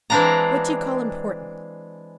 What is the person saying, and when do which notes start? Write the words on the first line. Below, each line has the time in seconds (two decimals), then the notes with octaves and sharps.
"What do you call important?"
0.10 E3 G#3 C4 D4 F5 A#5